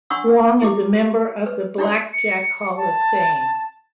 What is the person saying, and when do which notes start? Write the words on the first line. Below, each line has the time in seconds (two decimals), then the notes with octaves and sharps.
Wong is a member of the Blackjack Hall of Fame.
0.10 D4 F#5 C6 C#6 E6
0.62 E4 G4 D6
1.46 B4
1.78 D4 E4 F4 G#4 D5 C6
2.13 C#7
2.77 A5